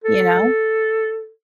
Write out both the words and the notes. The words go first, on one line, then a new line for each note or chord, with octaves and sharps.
You know?
A4